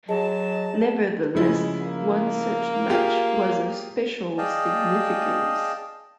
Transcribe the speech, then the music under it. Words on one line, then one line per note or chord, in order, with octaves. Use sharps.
Nevertheless, one such match was of special significance.
F#3 F#4 G#4 D#5 A5
C#3 F3 G#3 E4
A#3
F4 G4 G#4
G#4 D5 D#5 F5 G5 A5